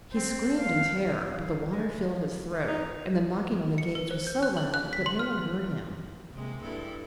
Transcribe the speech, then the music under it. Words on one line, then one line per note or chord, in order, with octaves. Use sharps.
He screamed in terror, but the water filled his throat and the knocking on the gates was so loud that no one heard him.
C4
F5
G3
G#3
F3
E3
D#4
C#7
B4
C5
G6
F#6
F#7
F#6
B6
C6
F6
C3 G#3 A#3
G2 E4 A4